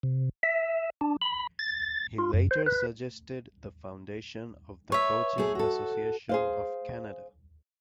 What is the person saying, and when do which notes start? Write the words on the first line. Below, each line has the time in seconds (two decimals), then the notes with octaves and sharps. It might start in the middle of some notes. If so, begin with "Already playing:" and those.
He later suggested the foundation of the Coaching Association of Canada.
0.03 C3
0.43 E5
1.01 D4
1.22 B5
1.59 A6
2.18 F4
2.33 F#2
2.51 C5
2.66 B4
4.92 B4 C#5 E5
5.38 A3 G#4
5.55 F#4 A4
6.29 G#4 C5 F5